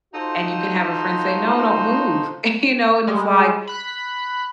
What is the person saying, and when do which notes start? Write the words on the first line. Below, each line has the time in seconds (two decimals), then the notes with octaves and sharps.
and you can have a friend say, "No, don't move." You know, it's like,
0.14 D#4 F4 F#4 A4 C5
3.07 G3 G#3
3.67 B5 F#6 B6